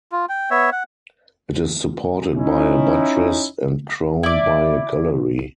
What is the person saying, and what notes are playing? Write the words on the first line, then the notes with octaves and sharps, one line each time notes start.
It is supported by a buttress and crowned by a gallery.
F4
G5
B3 C#5 E5
F#5
C#4 D#4 E4
E4 D5